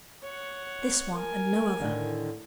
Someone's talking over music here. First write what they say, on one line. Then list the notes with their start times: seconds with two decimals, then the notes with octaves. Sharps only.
This one and no other.'
0.23 C#5 F#5
1.14 A#4 G#5
1.80 A2 D3 D#3